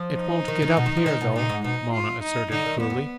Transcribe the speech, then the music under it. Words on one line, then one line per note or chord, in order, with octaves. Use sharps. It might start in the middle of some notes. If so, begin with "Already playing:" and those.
"It won't get up here, though," Mona asserted coolly.
Already playing: F3
D#4
D#3
D#3
B2
D#3
F3
D#3
B2
A#2 D#4
G#2
B2 D#4
F4
D#4
D3 D#4
D#3
F2 B3
F#2